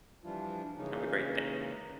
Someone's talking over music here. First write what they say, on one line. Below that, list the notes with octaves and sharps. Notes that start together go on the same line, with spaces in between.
Have a great da
E3 F3 G3 D4 E4 F4
C#3 E3 G#3 A#3 C#4 D#4